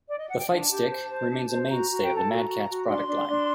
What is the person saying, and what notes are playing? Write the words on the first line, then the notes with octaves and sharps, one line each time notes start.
The FightStick remains a mainstay of the Mad Catz product line.
D5
D#5
F#5
G5
D4 A5
G4
C5
C5
D4
C5
A5
F#4 A#5
F#4
G5
A4
A5
F#4 A#5
F#4
F#4
D4 C6
D4
D4